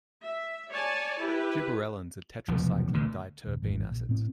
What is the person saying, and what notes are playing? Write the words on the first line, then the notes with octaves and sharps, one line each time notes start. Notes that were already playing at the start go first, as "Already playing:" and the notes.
Gibberellins are tetracyclic diterpene acids.
E5
C#5 D5 G#5 A5
E4 G4 B4
F1 B1 E2 F3
D2 A#2 D3
D#1
G#1 E2
A#1
A2 C4